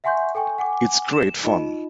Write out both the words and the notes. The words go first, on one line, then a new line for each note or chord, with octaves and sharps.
It's great fun.
E5 F#5 G#5 C6 C#6 G6
A4 G5 G#5 C#6
F#5 G#5 D6
E7
D#4 F4 D#5